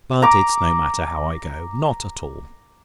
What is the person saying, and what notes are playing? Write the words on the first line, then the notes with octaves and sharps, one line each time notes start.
But it's no matter how I go,--not at all.
A#5 D6